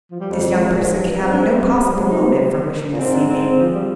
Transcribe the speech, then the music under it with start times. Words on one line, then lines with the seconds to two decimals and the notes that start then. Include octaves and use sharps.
This young person can have no possible motive for wishing to see me.
0.11 F3
0.20 G3
0.30 F2 G#3
0.46 G#3
0.63 C3
0.72 A#2
0.81 G#2
0.90 G2
1.10 G2
1.20 G#2 C4
1.32 D4
1.42 C4
1.79 C3 G3
1.95 G#3
2.10 D#4
2.93 A#2
2.99 G#2 C4
3.14 D4
3.29 C4
3.59 F3
3.74 G3